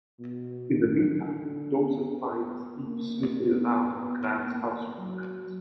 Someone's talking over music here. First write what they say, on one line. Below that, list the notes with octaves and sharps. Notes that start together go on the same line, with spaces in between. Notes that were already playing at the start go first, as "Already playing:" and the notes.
In the meantime, Dawson finds Eve snooping around in Grams's house one night.
B2
D#3
D3
B3
A#3
B3
B3
A#3
F#3